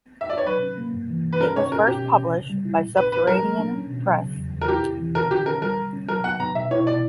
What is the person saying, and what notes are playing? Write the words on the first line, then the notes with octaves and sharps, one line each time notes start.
It was first published by Subterranean Press.
E5
D5
C#5
F#3 B4
C#4
A#3
G2
E3
G2
B4
C#4 A#4
C#4 C#5
C#4 A#4
B2 G4
B2
C#4
C#3
G3
E4
A#2
A#2 B4
A#2 B4
F#3 A#4
A#3
D4
C#4
B2
F#3
C#3
E2
E2
A#4
E4 G4
G4
E3
D3 A#4
D3 G4
C#4 A#4
G3 A#4
D3
C#4
F#3 A#4
B3 F#5
B3 A#5
B2 E5
E4 C#5
B2 D5